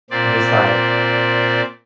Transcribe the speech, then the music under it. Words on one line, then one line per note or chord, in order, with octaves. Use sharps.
and just, like,
A#2 C4 D5